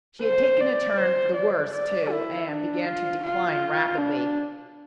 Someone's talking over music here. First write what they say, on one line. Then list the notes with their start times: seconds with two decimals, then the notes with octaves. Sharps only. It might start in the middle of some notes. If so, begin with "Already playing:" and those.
She had taken a turn for the worse, too, and began to decline rapidly.
0.22 C5
0.61 D5
0.98 C5
1.35 D5
1.73 D5
2.10 E4
2.48 D4
2.86 F4
3.23 F4
3.98 D4